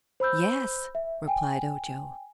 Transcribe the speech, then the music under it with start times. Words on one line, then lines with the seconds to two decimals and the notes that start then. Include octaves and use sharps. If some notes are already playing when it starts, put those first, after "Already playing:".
"Yes," replied Ojo.
0.20 C5 B5 E6 G6
0.95 E5
1.28 G5 G#5